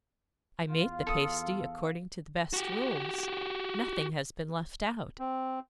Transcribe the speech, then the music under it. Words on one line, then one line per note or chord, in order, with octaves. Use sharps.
I made the pasty according to the best rules; nothing has been left out.
E2 F4 F5
A4 D#6
F#4 G4
C4